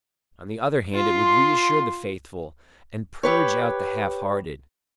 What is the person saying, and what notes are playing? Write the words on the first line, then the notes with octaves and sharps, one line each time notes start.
On the other hand, it would reassure the faithful; and purge out the half-hearted.
F4 C6
G4 B4 C#5